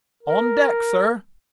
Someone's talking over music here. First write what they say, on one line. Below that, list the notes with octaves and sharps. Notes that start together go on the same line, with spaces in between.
"On deck, sir."
A#4